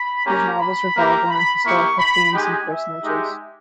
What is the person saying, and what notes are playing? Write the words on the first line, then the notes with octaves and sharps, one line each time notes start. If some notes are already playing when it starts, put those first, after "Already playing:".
His novels revolved around Historical themes and personages.
Already playing: B5
A#3 C#4 G4 A#5
B5
A#3 E4 G4 A#5
B5
A#3 E4 G4 C#6
B5
G#3 D#4 G4 G#5
E5
G#3 D#4 G4